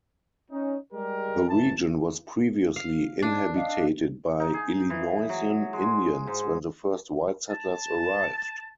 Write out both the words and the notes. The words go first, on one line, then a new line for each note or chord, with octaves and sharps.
The region was previously inhabited by Illinoisan Indians when the first white settlers arrived.
C#4 D#4
G3 G#3 G4 A#4
F#1 E3 A5
F5
D4
D#5 F5 C7
D#4
G#4
E3
F#3
G#3
G#2
A5